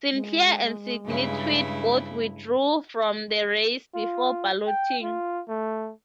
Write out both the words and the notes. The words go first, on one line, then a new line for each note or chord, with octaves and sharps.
Sinclair and Sydney Tweed both withdrew from the race before balloting.
G#3
G2 C#3 E4
F4
G5
F4
A3